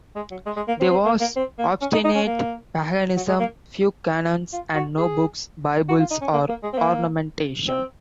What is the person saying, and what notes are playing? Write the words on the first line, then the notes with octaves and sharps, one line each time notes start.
There was obstinate paganism, few canons, and no books, bibles, or ornamentation.
G#3
F#3
G#3
G#3
A#3
C4
C4
A#3
A#3
C4
A#3
C#4
D#4
D#4
C#4
A#3
F#3
G#3
A#3
F4
F#4
G#4
F#4
F4
D#4
C#4
A#3
A#3
G#3
C4
A#3
C4